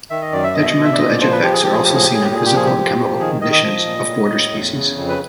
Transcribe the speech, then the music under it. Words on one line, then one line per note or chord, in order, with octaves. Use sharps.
Detrimental edge effects are also seen in physical and chemical conditions of border species.
D#3 E5
D#5
F#2 D5
E5
B2 D#5
E5
D#5
B2
E5
D5
A#2 D#5
D5
F3 C5
B4
F3 G4
G#4
F3 G4
G#4
A2 G4
G#4
G4
A2 G#4
G4
A#2 G#4
G4
F3 G#4
G4
F3
F3
D#3 G#4
D#3 D#5
D#5
F3
A#2
A2
A2
E2
C#3
F2
B4